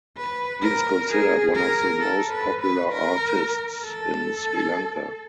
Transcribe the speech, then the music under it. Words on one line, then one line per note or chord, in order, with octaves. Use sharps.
He is considered one of the most popular artists in Sri Lanka.
B4
A#4
G#4
A#4
A4
B4
B4
A#4
A4